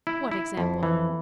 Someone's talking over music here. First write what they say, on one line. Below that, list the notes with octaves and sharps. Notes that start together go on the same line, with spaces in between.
"What example?"
E4
E4
F2
E3